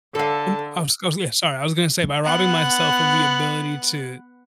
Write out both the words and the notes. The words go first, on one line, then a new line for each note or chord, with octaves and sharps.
oomp Oh, I'm sc oh, yeah, sorry. I was gonna say by robbing myself of the ability to
D3 A4 F5 A5
B3 F#5